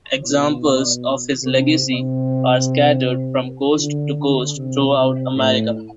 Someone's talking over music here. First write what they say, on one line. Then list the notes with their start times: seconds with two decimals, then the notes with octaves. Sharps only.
Examples of his legacy are scattered from coast to coast throughout America.
0.24 B2
1.42 C3
1.81 C3
3.79 D3
4.18 D3
4.57 C3
4.97 C3
5.36 A2